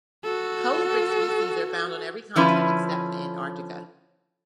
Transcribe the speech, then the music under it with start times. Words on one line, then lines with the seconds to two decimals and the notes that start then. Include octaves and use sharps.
Colubrid species are found on every continent except Antarctica.
0.24 F#4 A4
2.36 D3 F3 C#4 E4 B4